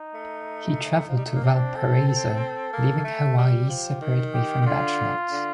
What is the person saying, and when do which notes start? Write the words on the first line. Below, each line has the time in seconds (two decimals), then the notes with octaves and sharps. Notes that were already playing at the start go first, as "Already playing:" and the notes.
He traveled to Valparaiso, leaving Hawaii separately from Bachelot.
Already playing: D#4
0.14 A3
1.09 F3
1.17 G3
1.26 A3
1.35 A#3
1.44 C4 D4
1.75 A4
2.08 A4
2.40 A4
2.73 A#3
2.99 A#3
3.04 A3
3.37 G3 G4
3.69 F3
4.01 D#3
4.34 G4
4.61 D#3
4.66 D3 F4
5.31 D3